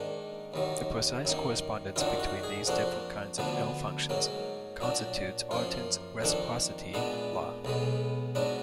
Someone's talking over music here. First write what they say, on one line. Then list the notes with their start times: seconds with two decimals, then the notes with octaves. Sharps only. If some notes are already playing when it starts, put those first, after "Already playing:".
The precise correspondence between these different kinds of L-functions constitutes Artin's reciprocity law.
Already playing: G#2 D#3 A#3 D4
0.54 D#2 D#3 F#3
1.25 F#2 D#3 A#3
1.96 F#2 D#3 F#3 D4 F4
2.20 F#4
2.43 G#4
2.67 F2 F3 A#3 D4 F#4
3.38 D2 D3 F3 B3 D4
4.09 G#2 F#3 A#3
4.80 A#2 F#3 D4
5.51 F#2 F3 A#3 F4
6.22 F2 D#3 A#3 D4
6.94 A#2 G#3 B3 D4
7.65 B1 B2 G#3 B3
8.35 G#2 F#3 B3 D4